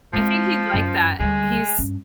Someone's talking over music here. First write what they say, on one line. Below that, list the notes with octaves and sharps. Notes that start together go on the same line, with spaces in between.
I think he'd like that. He's
F3 G#3 C4
F#2
D2 G3 G#3
G2 C#4